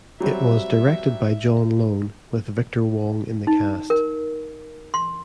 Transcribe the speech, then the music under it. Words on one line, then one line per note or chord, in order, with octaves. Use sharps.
It was directed by John Lone, with Victor Wong in the cast.
F#3 G3 C4 E5
D#4
A#4
C6